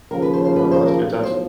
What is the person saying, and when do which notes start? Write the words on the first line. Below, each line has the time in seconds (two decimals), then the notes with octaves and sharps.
Wow, that's fantastic.
0.11 D#2 C#3 F3 A#4
0.22 B4
0.33 C5
0.45 C5
0.56 B4
0.71 C5
0.86 A#4
1.02 B1 A2 F3
1.23 C5